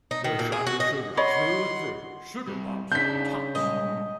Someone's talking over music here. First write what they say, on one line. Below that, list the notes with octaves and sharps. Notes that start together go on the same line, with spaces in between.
They're shot with sugar, through and through... Sugar Pops are tops!
D#4
D#3
A#2
G#4
F#4
D#5
C#5 D#5 F#5 B5 C6
G3 C4
C#3 D4 D#4 G6 B6
A#2 G3 G#3 D#5